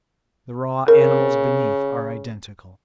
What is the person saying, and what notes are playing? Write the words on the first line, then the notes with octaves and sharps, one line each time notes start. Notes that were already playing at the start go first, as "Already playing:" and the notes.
The raw animals beneath are identical.
C#3 A#4